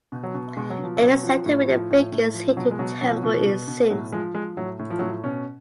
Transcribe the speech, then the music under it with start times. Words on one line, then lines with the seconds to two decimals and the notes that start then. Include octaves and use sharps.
It is said to be the biggest Hindu temple in Sindh.
0.12 B2
0.23 F#3
0.34 B2
0.56 B2 G#3
0.70 F#3
0.79 B2 F3
0.97 B2 F#3
1.23 F3
1.46 A2
1.68 F3
1.90 A2
2.12 A2
2.34 F3
2.57 B2 F#3
2.71 G#3
2.79 B2 F#3
3.01 B2 F#3
3.08 F3
3.16 F#3
3.23 B2 F3
3.46 B2
3.68 B2
3.90 A2 F#3
4.12 F3 G#3
4.35 F3 G#3
4.57 A2 F#3
4.79 A2
4.90 F3
4.99 A2 F#3
5.08 F3
5.24 B2 C#4